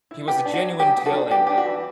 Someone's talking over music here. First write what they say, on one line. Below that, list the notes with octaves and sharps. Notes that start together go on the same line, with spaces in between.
He was a genuine tail-ender.
E4
B3 G4
D4
F#4
F#3
F#3 G4
B3
F#4 A4
D4
B3 G4
D4 G4
F#4
E3